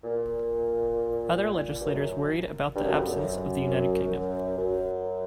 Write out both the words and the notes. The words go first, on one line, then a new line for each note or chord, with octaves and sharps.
Other legislators worried about the absence of the United Kingdom.
A#2
G2
F#2
G2
F#2
F2
F#2
F#2